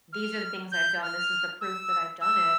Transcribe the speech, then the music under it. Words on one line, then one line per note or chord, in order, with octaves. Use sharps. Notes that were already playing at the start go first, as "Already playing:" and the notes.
these are the things I've done, this is the proof that I've done it."
F6
G6
F6
E6
E6